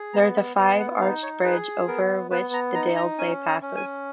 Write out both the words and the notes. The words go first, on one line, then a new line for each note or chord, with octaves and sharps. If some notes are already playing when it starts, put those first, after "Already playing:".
There is a five-arched bridge over which the Dalesway passes.
Already playing: G#4
B3 A#5
B5
B3 A#5
F#5
D#4 F5
C#5
G#4 B4
B3 A#4
B3 B4
A#5
D#4 A#5
A#5
C#4 G#5
A#5
C#4
G#5